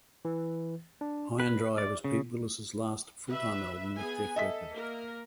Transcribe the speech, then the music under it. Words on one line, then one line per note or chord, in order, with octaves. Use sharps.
"High 'n' Dry" was Pete Willis' last full-time album with Def Leppard.
E3
D4
B4
D5
C#3
B4 E5
B3 G#4 G#5
A4 D#5 E5 B6
A#3 A#4